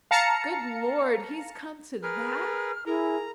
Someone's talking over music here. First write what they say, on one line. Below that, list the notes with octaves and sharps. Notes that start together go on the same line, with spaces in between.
"Good Lord, he's come to that!"
F5 A5 A#5 C#7
G#4 A#4 B4 F6
E4 G#4 A#4 A#5